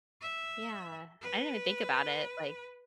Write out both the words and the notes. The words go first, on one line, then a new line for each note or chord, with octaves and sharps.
Yeah. I didn't even think about it. Like
E5
B4